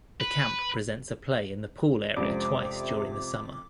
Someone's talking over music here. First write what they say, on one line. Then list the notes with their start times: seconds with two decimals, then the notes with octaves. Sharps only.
The camp presents a play in the pool area twice during the summer.
0.21 B4
2.17 F2 C3 G#3 C#4 D5 D6